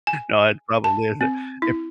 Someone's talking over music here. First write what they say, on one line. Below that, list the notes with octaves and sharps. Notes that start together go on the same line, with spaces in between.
No, it probably isn't, if
G#5
A5
C4
E4